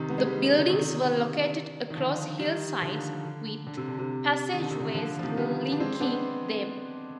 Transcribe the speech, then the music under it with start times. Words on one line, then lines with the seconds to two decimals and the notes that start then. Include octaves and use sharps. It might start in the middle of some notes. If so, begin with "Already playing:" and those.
The buildings were located across hillsides, with passageways linking them.
Already playing: C3 D#3
0.09 B3
0.18 G#3
0.26 D#3 G3
0.58 D3
0.69 C3 D#3
1.90 D#3
1.96 D3 F3
2.39 D#3 G3
2.81 D3 F3
3.25 D3
3.67 D3
3.77 C3
3.88 D3
3.99 C3
4.52 D#3
4.61 D3
4.71 C3
4.80 D3
4.94 D3 F3
5.19 F3
5.23 C3 D#3
5.37 G3 B3
5.72 D4
5.80 G#3 C4
5.95 C4
6.00 B3 D4